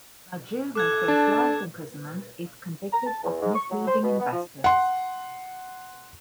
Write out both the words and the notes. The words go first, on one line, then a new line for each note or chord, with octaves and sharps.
Raju may face life imprisonment if convicted of misleading investors.
A4 D6 F#6 G#6
D4 A5
A#5
A5
E2
G#2
C#6
F#3
C5
B2
B3
F3
F#5 C6